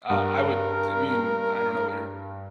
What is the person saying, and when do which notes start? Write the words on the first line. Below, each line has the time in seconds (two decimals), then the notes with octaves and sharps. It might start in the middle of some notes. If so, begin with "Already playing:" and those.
Uh, I would I mean, I don't know what your
0.10 G2 A#4